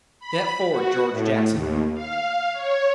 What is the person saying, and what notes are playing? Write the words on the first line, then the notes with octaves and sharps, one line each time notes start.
Step forward, George Jackson.
B5
F#4
A2
D#2
F5
C#5